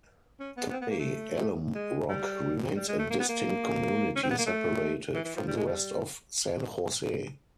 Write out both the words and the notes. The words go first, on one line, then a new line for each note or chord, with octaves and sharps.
Today, Alum Rock remains a distinct community separated from the rest of San Jose.
C#4
B3
B3
C4
B3
A#3
A3
G#3
G3
G3
G#3
A3
A#3
B3
A#3
C#4
C4
B3
A#3
A3
E3
E3
F3
G3
G#3
G3